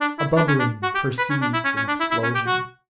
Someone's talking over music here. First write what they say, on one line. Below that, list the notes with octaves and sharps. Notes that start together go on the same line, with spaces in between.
A bubbling precedes an explosion.
D4
E4
D4
C#4
D4
F#4
G4
B4
C#4
D4
E4
C#4
C#4
D4
E4
E4
C#4
G4
F#4